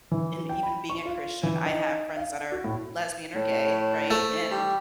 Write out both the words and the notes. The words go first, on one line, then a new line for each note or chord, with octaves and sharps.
and even being a Christian, I have friends that are lesbian or gay, right? And,
E3
G5
B5
C#6
F4
E3
D#4
F5
F#4
A2
A2 C#5
A3 C5
G3